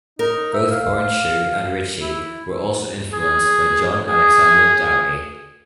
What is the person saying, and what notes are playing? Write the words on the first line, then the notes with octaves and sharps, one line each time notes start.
Both Hornshuh and Richey were also influenced by John Alexander Dowie.
D#4 A#4
E5
F5
E4
G#4
G#4